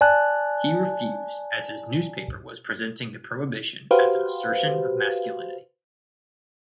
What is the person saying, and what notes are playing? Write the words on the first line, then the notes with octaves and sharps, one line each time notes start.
He refused as his newspaper was presenting the prohibition as an assertion of masculinity.
D5 G#5 A5 F#6
F#4 G4 B4 C5 F5